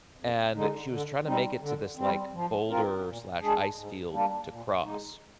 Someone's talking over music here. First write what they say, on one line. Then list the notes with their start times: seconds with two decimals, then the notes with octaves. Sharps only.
and she was trying to make it to this, like, boulder/ice field to cross,
0.17 F2
0.54 D3 G#3 D#4
0.90 D3
1.26 G3 C4 D#4
1.60 D3
1.97 G3 C4
2.33 F3
2.68 C4 F4 A#4
3.05 A#2
3.41 G#3 D4 G#4
3.76 G#2
4.12 G3 A#3 D4
4.49 A#2
4.84 G#3 D#4